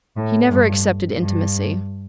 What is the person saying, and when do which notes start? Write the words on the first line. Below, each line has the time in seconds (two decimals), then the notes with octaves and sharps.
He never accepted intimacy.
0.17 A2
0.50 G2
1.19 G2